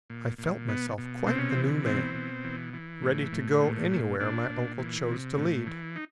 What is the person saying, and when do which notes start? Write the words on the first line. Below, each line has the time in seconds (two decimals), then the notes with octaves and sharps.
I felt myself quite a new man, ready to go anywhere my uncle chose to lead.
0.10 A#2
0.38 A#2
0.68 B2 B3
0.98 B2
1.27 C3 C4
1.39 C#4
1.51 C4
1.56 E3
1.86 B2 C4
2.15 B2
2.44 E3
2.74 E3
3.03 A2
3.32 A2
3.61 A#2
3.91 A#2
4.20 A#2 D4
4.49 A#2
4.79 E3
5.08 C3
5.37 A2
5.67 E3
5.96 D#4